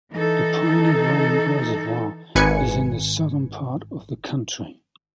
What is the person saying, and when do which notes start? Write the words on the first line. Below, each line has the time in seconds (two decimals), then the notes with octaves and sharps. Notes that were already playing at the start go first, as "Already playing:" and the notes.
The Piney Run Reservoir is in the southern part of the county.
0.13 E3 D#4 A4
2.35 G#1 B4 G#5 C#7